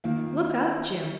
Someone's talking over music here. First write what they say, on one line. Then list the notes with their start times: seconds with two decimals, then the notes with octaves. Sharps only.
'Look out, Jim!
0.04 D#3 A#3 F4